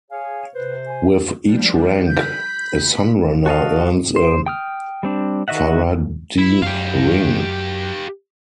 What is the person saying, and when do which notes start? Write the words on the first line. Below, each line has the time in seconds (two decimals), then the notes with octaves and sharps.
With each rank a Sunrunner earns a "faradhi" ring.
0.11 G#4 C#5 F5 G#5
0.54 C3 B4 C5
0.87 G#5
1.43 F3 G3 D4
2.07 B5 G6 B6
3.46 F#4 A4 D#5 F5
4.16 C5
4.46 G5 D#6 F6
5.03 G3 C4 D4
5.48 D#3 F#4 D#5 E5 F#5
6.38 E4
6.62 F#2 G4 F5